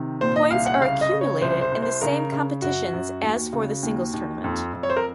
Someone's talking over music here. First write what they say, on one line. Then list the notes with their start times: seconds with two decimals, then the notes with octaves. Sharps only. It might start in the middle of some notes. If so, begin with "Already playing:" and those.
Points are accumulated in the same competitions as for the Singles tournament.
Already playing: C3 D#3
0.21 A#2 C5
0.36 D#5
0.51 C2 F5
0.66 F#5
0.81 C#3 F5
1.01 D#5
1.11 C#3
1.21 C#5
1.41 C2 C5
1.61 C5
1.72 C2
1.82 C5
2.02 C#3 A#4
2.32 C#3
2.62 F#2 F#4
2.93 F#2
3.23 D#2
3.53 C#3
3.83 D#2
4.13 D#2
4.44 F2
4.73 F2
4.83 C#5
4.90 C5
4.97 A#4